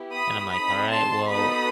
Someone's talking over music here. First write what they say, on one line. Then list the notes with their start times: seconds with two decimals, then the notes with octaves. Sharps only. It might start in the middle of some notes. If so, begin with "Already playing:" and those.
And I'm like, "Alright, well"
Already playing: B3 E4 G4
0.13 B5 D#6
0.52 C4 D#4 A4 B5 D#6
0.91 A5 C6
1.30 B3 D#4 F#4 A4 B5 D#6